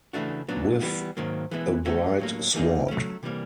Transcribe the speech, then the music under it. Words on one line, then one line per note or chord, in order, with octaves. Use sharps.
With a bright sword.
C#3 E3 A3 D4 F#4
A#2 F#3 B3 D4
E3 G3 B3
G#2 D#3 F#3 A#3
E3 G#3 B3 E4
F3 A3 C#4 F#4
A2 F#3 A#3
E3 G3 A#3 D#4 G#4
F#3 A3 C#4
C3 E3 G3 A#3